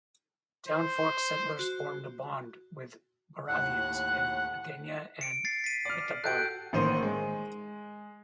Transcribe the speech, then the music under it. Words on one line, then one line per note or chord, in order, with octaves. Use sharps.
Town Fork settlers formed a bond with Moravians in Bethania and Bethabara.
C5
F#4
D#2 A2 F#5 F#6
C#7 D7
A6 C7
B6 D#7
D5 F6
F#4 G4 A4 F#6 G6 D7
A1 D#3 A#3 C5 D#7
G#3